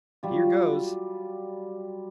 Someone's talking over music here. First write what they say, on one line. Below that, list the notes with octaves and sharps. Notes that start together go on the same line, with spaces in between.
"Here goes!"
F#3 G3 F4